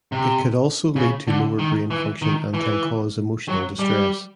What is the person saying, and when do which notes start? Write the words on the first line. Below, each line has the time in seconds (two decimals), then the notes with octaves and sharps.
It could also lead to lower brain function and can cause emotional distress.
0.12 C3
0.96 C#3
1.28 D3
1.59 D#3
1.91 E3
2.22 D#3
2.54 E3
3.48 F#3
3.79 G3